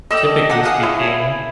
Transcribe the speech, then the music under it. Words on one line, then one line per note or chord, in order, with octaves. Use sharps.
typically speaking,
A4 D5 D#5 G5 E6
D#4 A4 D5 F#5
G#4 F5 F#5 D#6
E4 A4 C#5